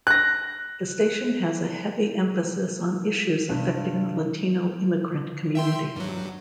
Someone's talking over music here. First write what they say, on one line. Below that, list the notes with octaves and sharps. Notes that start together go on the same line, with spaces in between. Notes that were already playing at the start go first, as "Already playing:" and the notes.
The station has a heavy emphasis on issues affecting the Latino immigrant community.
F#6 A#6
G2 C3 G3
E5 G5 C6
G2 F#3